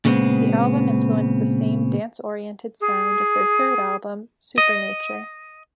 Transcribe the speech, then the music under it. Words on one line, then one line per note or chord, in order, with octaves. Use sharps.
The album influenced the same dance-oriented sound of their third album "Supernature".
A#2 C#3 G3 G#3 B3 C4
G#4
D#5